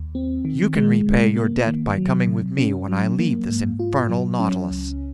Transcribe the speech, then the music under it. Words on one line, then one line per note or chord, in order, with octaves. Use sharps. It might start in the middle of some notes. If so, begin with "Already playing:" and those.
"You can repay your debt by coming with me when I leave this infernal Nautilus."
Already playing: D#2
C4
D#3
G#3
C3
A#3
D#3
F#3
C3
C#4
F#3
A#3
G#2
F4
F#3
C#4
C#2